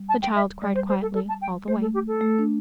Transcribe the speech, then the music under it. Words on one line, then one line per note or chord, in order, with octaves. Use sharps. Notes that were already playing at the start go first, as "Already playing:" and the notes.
The child cried quietly all the way.
Already playing: G3
A5
G5
E5
G3 D5
C5
C5
A4
A4
A5
G5
A3 C5
A4
G4
A4
A3
D4